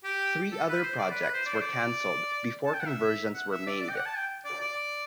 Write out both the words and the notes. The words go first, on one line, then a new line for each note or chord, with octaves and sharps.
Three other projects were cancelled before conversions were made.
G4
A4
B4
C5
D5
B4
B4
C5
D5
C5
D5
A5
G5
F#5
E5
F#5
E5
D5
D5
G5
F#5
A5
G5
D5
D5